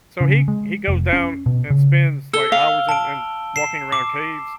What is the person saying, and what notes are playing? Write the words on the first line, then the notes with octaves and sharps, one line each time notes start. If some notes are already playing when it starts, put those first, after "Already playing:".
So he he goes down and spends, like, hours and and walking around caves?
C#3
G#3
F1
C#4
B2
C#3
A4 E6 G7
F5
A5 D7
C7 E7
D6